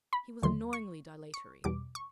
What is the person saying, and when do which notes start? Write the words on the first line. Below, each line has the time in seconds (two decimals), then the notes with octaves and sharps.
He was annoyingly dilatory.
0.13 B5
0.42 D#2 D3 F#3 A3 C6
0.73 C#6
1.34 C#6
1.64 E2 B2 G3 D6
1.95 C#6